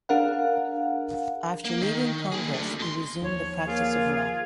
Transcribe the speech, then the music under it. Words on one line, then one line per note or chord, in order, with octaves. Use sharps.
After leaving Congress he resumed the practice of law.
D4 G#4 A#4 F5 F#5
A#3
D#3
A#3 G#4
A3 D4
B2 C6
D#2 F3 C#5
A#3 F4 G#4